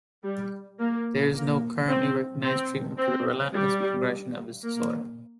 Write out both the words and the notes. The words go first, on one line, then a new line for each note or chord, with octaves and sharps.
There is no currently recognized treatment for the relentless progression of this disorder.
G3
A#3
A#3
C4
C4
C4
G3
A#3